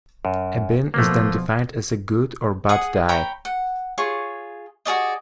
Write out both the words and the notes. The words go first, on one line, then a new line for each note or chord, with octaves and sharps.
A bin is then defined as a good or bad die.
F#2
B2 F3 A3 A#3
G#4 F#5 D#6
C#5 G5 A#5 B5
F#5
F4 G#4 C#5 C#6
F#4 G#4 D5 D#5